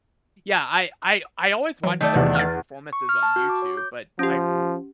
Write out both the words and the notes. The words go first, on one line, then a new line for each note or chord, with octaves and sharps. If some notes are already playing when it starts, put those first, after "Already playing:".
Yeah, I I I always watch their live performances on YouTube, but I've n
E3 F#3
D#3 A3 D5
E2 C3
F6 A6
C#6
F6
A5
F#4
D6
C#5
G6
F3 C#4 G4